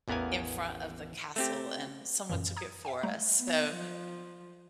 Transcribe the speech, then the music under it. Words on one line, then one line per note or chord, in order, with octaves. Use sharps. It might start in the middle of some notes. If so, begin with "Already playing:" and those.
in front of the castle, and someone took it for us, so,
A1 E2 B3 A#4 F5 G#5
A3 C4 G4
F#2 A#2 E3
A#5 D#6 G#6
E5 F5 G5 G#5
G3 A3 A#5
B3
F3